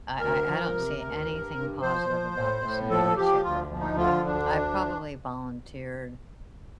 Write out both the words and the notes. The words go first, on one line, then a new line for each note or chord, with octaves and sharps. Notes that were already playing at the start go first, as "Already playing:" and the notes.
I I I don't see anything positive about this in any way, shape, or form. I've probably volunteered
D2 A#4
F3
C3
D2
G2
G2
F3 C5
F3
A2
A2
F3 A4
F3 G4
D2 F4
F3
D#4
D3 F4
D2 D4